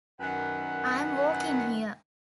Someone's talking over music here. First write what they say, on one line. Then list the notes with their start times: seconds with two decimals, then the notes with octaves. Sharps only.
I'm walking here!
0.21 F#2 D#3 A#4 B4 F#5